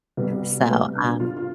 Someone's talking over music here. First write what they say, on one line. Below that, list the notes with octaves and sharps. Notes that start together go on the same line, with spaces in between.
so, um,
C2 B2 G3 B3
A3
B3
D4
F4
F4